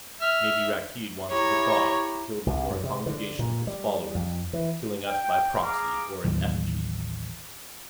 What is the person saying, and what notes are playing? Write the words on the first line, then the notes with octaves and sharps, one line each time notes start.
Maybe Rakkeed wanted the dog, to kill before a congregation of his followers, killing us by proxy, or in effigy.
E5 F6
E4 G4 C#5 A#5
C2
F#2
C3
D3
A#2
G3
F2
E3
G5
G#4 F5 A#5 D6
A1 D#2 D#3 F#3